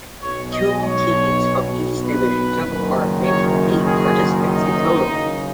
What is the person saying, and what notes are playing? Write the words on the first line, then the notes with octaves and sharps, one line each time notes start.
Two teams from each division took part, making eight participants in total.
B1 B2 C#5
D#5
C#5
B4
F#1 F#2 D#3
C#5
G#4
D#4
F#1 F#2 C#3